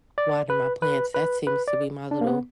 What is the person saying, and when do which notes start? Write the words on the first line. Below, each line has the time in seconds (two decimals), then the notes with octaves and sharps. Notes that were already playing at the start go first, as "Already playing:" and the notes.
water my plants, that seems to be my little
0.18 D5
0.50 B4
0.82 B4
1.14 B4
1.47 B4
1.68 D5
2.11 D4
2.21 A#3
2.27 B3